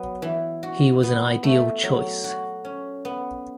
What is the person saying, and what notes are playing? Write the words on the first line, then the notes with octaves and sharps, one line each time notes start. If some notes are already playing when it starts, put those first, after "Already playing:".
He was an ideal choice.
Already playing: F#3 B3
E3
F#4
B3
A3
F#3
F#4
C#4
B3